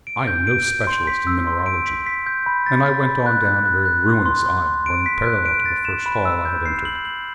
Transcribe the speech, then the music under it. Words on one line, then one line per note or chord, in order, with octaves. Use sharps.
I am no specialist in mineralogy, and I went on down a very ruinous aisle running parallel to the first hall I had entered.
D7
G6
D7
G6
C6
B6
E6
C6
D7
B6
B6
G6
B5
A6
A6
B5
F#6
F#6
F#6
F#6
C6
C6
C6
C6
D7
B6
F#6
D7
A6
E7
B5
E6
G6
C7
F#7
F#7